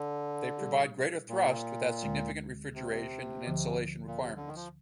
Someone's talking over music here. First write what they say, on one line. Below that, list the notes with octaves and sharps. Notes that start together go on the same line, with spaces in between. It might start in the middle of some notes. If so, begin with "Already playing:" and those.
They provide greater thrust without significant refrigeration and insulation requirements.
Already playing: D3
A#2 G3 D4 G4
A#2
D2 D3 G#3
C3
D2 D3 F3
A#2
C3
D3
D#3
F3